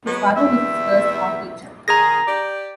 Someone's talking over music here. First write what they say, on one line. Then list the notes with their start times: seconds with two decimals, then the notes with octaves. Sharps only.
His father was his first art teacher.
0.06 F#3 G#3 B3
0.37 E2 G3 E5
1.88 D#3 G#4 A#5 A#6
2.27 G4 D5